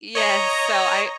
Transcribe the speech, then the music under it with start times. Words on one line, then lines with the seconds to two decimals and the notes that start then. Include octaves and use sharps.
Yes, so I
0.15 C#5 D#5 A#5